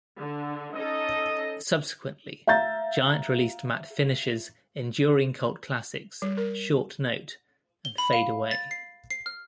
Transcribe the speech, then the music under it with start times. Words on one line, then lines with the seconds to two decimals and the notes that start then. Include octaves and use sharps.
Subsequently, Giant released Matt Finish's enduring cult classics "Short Note" and "Fade Away".
0.19 D3
0.74 C#4 D#4 A4 D#5
2.47 E5 F5 A#5 G6 A6
6.22 G3
6.37 A#4
7.85 G7
7.98 B5
8.13 F5
8.51 A6
8.71 C7
9.10 C7
9.26 F6